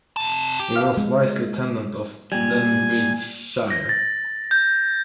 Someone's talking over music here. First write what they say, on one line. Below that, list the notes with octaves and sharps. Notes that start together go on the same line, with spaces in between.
He was Vice-Lieutenant of Denbighshire.
C3 A5
G4
E5 F5
G#3
A#2 G3 G#5
A#6
A6
G6